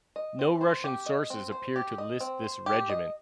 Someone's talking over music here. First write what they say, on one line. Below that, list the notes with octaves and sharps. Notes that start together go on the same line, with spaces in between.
No Russian sources appear to list this regiment.
D#5
C4
C5
G4
D#5
C4
C5
G4
D#5
C4
C5
G4
D#5